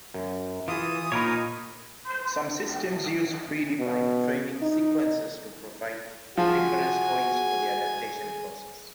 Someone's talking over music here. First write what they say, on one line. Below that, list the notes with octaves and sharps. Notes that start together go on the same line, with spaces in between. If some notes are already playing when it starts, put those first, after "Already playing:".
Some systems use predefined training sequences to provide reference points for the adaptation process.
F#2
E3 F4 G#4 D#6
A#2 D#4 A#4 C#5 B5
B2
D#4
F3 F#4 G#4 G#5